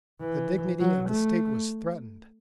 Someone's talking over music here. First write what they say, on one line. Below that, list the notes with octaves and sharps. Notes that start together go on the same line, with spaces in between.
The dignity of the State was threatened.
E3
F#3
A3